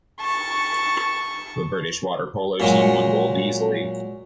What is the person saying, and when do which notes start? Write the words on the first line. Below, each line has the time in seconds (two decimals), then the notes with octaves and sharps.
The British water polo team won gold easily.
0.21 A5 C#6
2.60 A#2 F#3 G#3